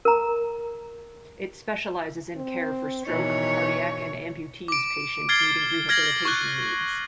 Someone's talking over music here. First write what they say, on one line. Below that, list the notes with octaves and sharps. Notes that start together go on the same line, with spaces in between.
It specializes in care for stroke, cardiac and amputees patients needing rehabilitation needs.
A#4 A#5
C4
B2 D#3 E3 D#4 C#5
D6 D7
F6 G#6 A6 C7 G7
F6 G#6 A#6 C7 F#7
C#6 F#6